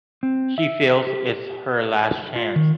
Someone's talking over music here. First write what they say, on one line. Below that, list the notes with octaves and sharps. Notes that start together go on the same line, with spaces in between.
She feels it's her last chance.
C4
E5
G4
F4
D#3